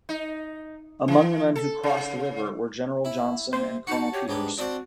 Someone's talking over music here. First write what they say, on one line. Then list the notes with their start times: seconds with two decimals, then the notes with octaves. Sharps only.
Among the men who crossed the river were General Johnson and Colonel Peters.
0.09 D#4
1.08 E3
1.55 A4
1.83 C#3
3.05 E4
3.53 C3 A#3 C5
3.87 D#4 F#4 A5 C#7
4.13 G4 C#5
4.28 G#2 B3 D4 G4
4.58 C4 D4 F#4 C5 D5